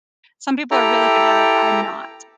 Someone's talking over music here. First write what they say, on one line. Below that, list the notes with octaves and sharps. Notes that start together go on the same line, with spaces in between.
some people are really good at it, I'm not,
E4 G4 A4 G5 A#5